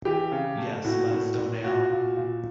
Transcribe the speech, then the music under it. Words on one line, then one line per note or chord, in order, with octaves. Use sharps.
Yes, let us go now.
E3 G4
C#3
A3
A2 F#4
A2
A2
A#2 F#4
A#2
A#2